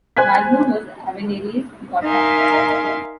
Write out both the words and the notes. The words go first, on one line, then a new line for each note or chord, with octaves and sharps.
Wagner was Avenarius' godfather.
C5 G#5 F#6 G#6 B6
D#4 A#4 E5 F5 G#5 C6